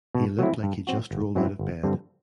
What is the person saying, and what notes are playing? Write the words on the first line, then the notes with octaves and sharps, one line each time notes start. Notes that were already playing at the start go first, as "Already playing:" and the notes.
He looked like he just rolled out of bed.
B2
F#3 A3 C4 E4
G2
F#3 C4 F#4
G1
F#2 F#3 C4 E4
G1
G2 D3 G3 C4